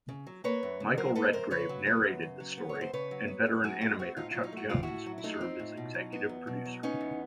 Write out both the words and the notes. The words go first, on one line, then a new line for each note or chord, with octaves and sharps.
Michael Redgrave narrated the story and veteran animator Chuck Jones served as executive producer.
C#3
F#3
A#3 B4 C#5
F#2
C#3
F#3 A#4 C5
A#3 A4 B4
F#2 A#4 C5
C#3 B4 C#5
F#3
B3
F#2
C#3
F#3
B3
C#5
F#2
C5
C#3 B4 C#5
F#3
B3
F#2
F#3 F#4 G#4
A3 F4 G4
C4 E4 F#4
A2 D#4 F4
F#3 D#4 F4
D#4 F4
A3 F#4
C4 F4
A2 E4 F#4
F#3
E4
A3 D#4 F4
C4
A2
B2
F#3
B3
E2
B2
F#3
B3 C#4 D#4
E2